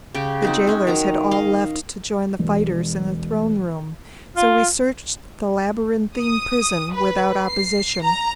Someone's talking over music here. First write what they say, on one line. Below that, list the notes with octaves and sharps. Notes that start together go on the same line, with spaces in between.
The jailers had all left to join the fighters in the throne room, so we searched the labyrinthine prison without opposition.
C#3 G4 G5
C4 D#4 F#4
G#3 C#4
D#3 F#3 A#5
D#5 F5
E1
F4
D#6
B4
C7
A#5